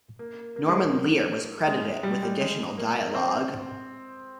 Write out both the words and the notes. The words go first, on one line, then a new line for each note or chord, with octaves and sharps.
Norman Lear was credited with additional dialogue.
A#3
A#3
G#3
A#3
G#3
G3
G3
G#3
A#3
C4